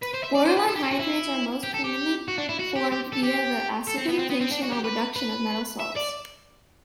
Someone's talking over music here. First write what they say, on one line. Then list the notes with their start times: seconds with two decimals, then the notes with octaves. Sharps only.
Borderline hydrides are most commonly formed via the acidification or reduction of metal salts.
0.03 B4
0.14 C5
0.24 E5
0.35 D5
0.46 C5
0.57 B4
0.68 A4
0.76 G4
0.83 A4
0.91 F#4
0.99 E4
1.63 G4
1.74 A4
1.84 G4
2.28 F#4
2.38 D4
2.49 E4
2.59 F#4
2.76 G4
2.92 G4
3.12 A4
3.23 G4
3.87 A4
3.98 C4
4.09 B3
4.19 C4
4.30 B3
4.41 C4
4.52 D4
4.63 F#4
4.72 G4
4.84 B4
5.16 B4
5.80 E5
5.96 D5